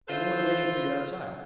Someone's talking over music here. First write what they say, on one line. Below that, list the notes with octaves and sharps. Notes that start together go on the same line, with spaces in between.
"And no one waiting for you outside?"
F4 A4 B4 C5 E5